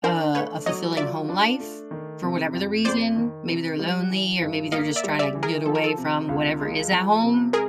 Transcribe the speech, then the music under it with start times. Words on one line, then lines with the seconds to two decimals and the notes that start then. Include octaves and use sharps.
uh, a fulfilling home life for whatever the reason. Maybe they're lonely or maybe they're just tryna get away from whatever is at home.
0.03 D4 A#4 C5
0.35 A3 B4 C#5
0.66 F#3 C#5 D#5
0.97 F4 D5 E5
1.29 D4
1.60 A3
1.91 D#3
2.22 C3
2.53 F2
2.85 F2 C5 D5
3.16 D#3
3.48 C3
3.79 G3
4.10 E3
4.42 G2
4.72 A#3 D#5 F5
4.96 D5 E5
5.04 G3
5.19 D5 E5
5.35 E3
5.43 G#4 A#4
5.66 F3 A4
5.75 A#4
5.84 A4
5.98 C3
6.29 C#2
6.60 G#3
6.91 F3
7.22 C3
7.53 G#3 G#4 A#4